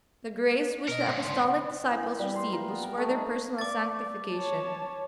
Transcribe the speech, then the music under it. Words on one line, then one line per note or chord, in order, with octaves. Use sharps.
The grace which the Apostolic disciples received was for their personal sanctification.
B2 A#4 D#5
D#2 G#2
C#3 D5 C6
E3
B5
G3
C6
A#3
B3
A#4
A3
D#4
D5 D6 A6
C#5 A5